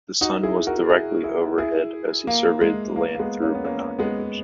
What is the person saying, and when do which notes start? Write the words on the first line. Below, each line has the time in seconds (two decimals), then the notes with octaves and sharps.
The sun was directly overhead as he surveyed the land through binoculars.
0.21 D#4 F#4
0.43 E4 G#4
0.67 F#4 A#4
0.89 E4 G#4
1.23 E4 G#4
1.58 E4 G#4
2.27 A#3
2.61 G#3
2.96 A#3
3.15 A#3
3.19 G#3 B3
3.42 A#3 C#4
3.55 B3
3.64 A#3 C#4
3.99 G#3 B3